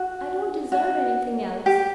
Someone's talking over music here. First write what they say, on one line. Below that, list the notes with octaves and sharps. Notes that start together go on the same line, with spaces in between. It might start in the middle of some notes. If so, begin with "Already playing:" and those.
'I don't deserve anything else.
Already playing: F#4
F#4
G4